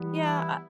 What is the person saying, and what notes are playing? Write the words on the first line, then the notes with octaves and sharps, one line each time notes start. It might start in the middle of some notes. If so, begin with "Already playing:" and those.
Yeah I
Already playing: E3 G3 B3
E4